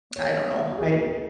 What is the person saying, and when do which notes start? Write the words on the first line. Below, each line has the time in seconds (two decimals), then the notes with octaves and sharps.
I don't know. I
0.16 C#5
0.70 F#4
0.78 G#4
0.93 A#4
1.09 A#4